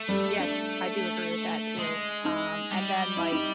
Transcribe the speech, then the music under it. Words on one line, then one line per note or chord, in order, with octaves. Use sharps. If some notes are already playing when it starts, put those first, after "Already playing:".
Yes, I do agree with that too. Um, and then, like,
Already playing: A3
G3
D4
G#3
D#4
G3
E4
D#4